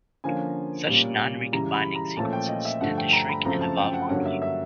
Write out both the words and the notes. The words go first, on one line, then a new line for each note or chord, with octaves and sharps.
Such non-recombining sequences tend to shrink and evolve quickly.
D3 F3 A#3 C#4 G#5
A#2 G3 A#3 C#4
C#3 E3 G3 A#5
B5
A#5
A#2 F3 A3 C#4 A5
G5
D#5
E5
G2 D3 F3 A3 F#5
G5
A#5
B5
F#2 C#3 F3 A3 C4 A#5
A5
G5
F#5
G2 D3 F#3 A#3 C#4 F#5
E5
E5